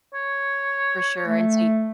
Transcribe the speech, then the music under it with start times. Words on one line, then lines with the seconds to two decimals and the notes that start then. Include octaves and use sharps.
For sure. And so y
0.14 C#5
1.26 A3